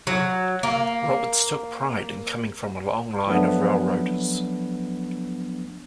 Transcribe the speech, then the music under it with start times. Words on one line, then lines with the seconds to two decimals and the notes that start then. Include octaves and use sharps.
Roberts took pride in coming from a long line of railroaders.
0.07 F#3
0.63 A#3
3.27 F3 F#3 A3 B3 D4